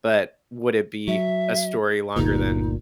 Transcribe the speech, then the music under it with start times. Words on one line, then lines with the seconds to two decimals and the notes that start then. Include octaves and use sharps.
but would it be a story longer than
1.07 F#3 E5
2.16 G1 D2 A#2 D#4